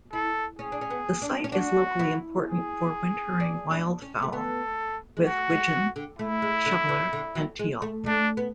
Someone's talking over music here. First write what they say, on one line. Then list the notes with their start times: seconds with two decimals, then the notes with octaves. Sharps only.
The site is locally important for wintering wildfowl, with wigeon, shoveler and teal.
0.13 E4 A4
0.59 C#4 G#4
0.72 D4
0.81 C#4
0.90 B3
1.22 D4
1.44 C#4
1.52 D4 F#4
1.99 E4
2.46 G#4
3.40 D4
3.71 D4
4.02 C#4
4.22 A3
4.32 B3 A4
5.17 G#3
5.25 A3 F#4
5.50 G#3
5.73 F#3
5.96 D3
6.19 A3 E4
6.42 G#3
6.66 D3
6.89 E3
7.13 D3
7.35 F#3
7.59 G#3
7.82 A3
8.06 A3 D4
8.37 B3